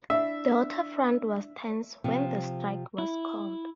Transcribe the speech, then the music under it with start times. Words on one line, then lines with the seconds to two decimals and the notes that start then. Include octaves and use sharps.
The waterfront was tense when the strike was called.
0.10 D4 E4 E5
2.04 C3 F3
2.98 E4